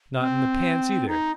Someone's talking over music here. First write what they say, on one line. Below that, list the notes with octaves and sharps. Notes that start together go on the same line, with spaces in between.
Not in the pants, either?
C4
D#4